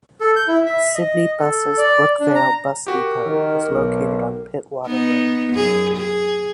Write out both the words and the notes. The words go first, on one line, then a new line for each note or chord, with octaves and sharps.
Sydney Buses' Brookvale Bus Depot is located on Pittwater Road.
A4
G6
E4
E5
D#5
A4
D5
D4
A#5
F#4 G4 A#4
D#3
B1
B3 D#4
F#2 G#4
G#4